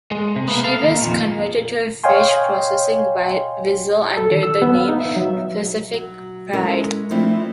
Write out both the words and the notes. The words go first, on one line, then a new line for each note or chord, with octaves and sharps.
She was converted to a fish processing vessel under the name "Pacific Pride".
G#3
C3
A#3 B3
A4 F5
D#3 A#3
F2 A#2
C#5 D#5 F5 G5 G#5 C6
A4
D#3
E6
B3
F5
D#4
E5
F#3
F#3
G#3 C#4 E4 A4 A#4
F3 A3 C4 D4 E4 F4